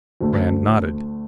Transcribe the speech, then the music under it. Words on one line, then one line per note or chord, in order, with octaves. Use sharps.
Rand nodded.
D2 D3 A3